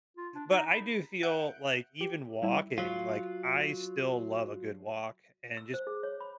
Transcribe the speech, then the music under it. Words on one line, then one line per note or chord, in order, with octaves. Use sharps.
But I do feel, like even walking, like, I still love a good walk and just
F4
D4
D#4
B5
E5 F#5 F#6 G6 C#7 D7
G4
G3 E4
F#3 F4
E6
C5
G#4
C#5
B5